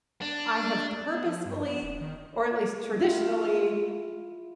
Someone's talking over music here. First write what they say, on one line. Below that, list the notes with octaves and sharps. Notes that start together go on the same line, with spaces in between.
I have purposefully, or at least traditionally,
D4
B3
F3
G2
B3
D#1
D#3
E4 F4